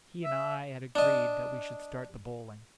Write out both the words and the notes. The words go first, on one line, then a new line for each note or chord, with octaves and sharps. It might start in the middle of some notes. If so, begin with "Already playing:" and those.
He and I had agreed that we should start the bowling.
E5
D4 D#5